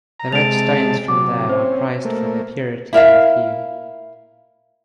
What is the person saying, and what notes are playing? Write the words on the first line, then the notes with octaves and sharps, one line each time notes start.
The red stones from there are prized for their purity and hue.
A#5
C3 G#3 A5 D7 F7
C3 F#3 D6
C4 C#4 C5
A3 A#3
E4 A#4 E5 F5